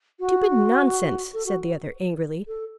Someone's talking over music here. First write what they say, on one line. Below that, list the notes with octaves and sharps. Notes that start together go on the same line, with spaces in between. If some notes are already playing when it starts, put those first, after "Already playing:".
"Stupid nonsense!" said the other angrily.
F#4
A4
F#4
A4